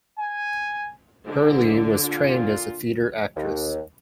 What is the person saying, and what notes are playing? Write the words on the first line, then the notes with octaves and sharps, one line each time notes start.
Herlie was trained as a theatre actress.
G#5
G#2 D3
A#2 F4
D#2